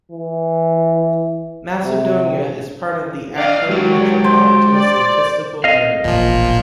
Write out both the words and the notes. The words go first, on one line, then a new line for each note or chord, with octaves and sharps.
Macedonia is part of the Akron Metropolitan Statistical Area.
E3
C3
D4 D5 D#5 F5
F#3 G#3 G4 A#4
C5
D5
C4 D#5 F5
E1 A1 E2 A#2 F3